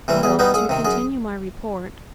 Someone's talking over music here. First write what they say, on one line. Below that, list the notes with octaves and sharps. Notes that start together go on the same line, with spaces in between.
Well, to continue my report.
C3 E3 G3
E2 G#4
B2 G3 B3 D#4
C2 G#4
C3 D#3
F#2 G#4